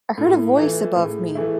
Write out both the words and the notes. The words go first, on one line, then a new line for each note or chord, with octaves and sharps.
I heard a voice above me.
A2 E4
E3 A3 E4 F4
A2 G#4 B4
E3 A3 E4